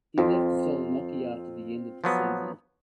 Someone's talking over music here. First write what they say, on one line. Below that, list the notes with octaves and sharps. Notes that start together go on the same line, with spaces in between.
He left Szolnoki after the end of the season.
F2 C4 F4
F3 F#3 B3